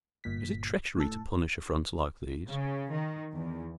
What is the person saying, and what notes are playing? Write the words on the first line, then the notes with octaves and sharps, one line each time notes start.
Is it treachery to punish affronts like these?
G1 A#2 B6
A2 A4
C#3
D#3
E2